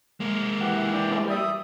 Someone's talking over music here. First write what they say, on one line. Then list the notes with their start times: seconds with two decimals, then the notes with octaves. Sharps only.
I don't know. Like,
0.20 G#3 A#3
0.60 E3 G4 F#5
0.93 D5 G5
1.30 E5 D#6